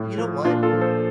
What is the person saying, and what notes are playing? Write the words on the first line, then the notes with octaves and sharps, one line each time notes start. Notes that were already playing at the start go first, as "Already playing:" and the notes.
"You know what?
Already playing: A2
F3
A#2 D4 F4
F4 A4
F3
A4 C5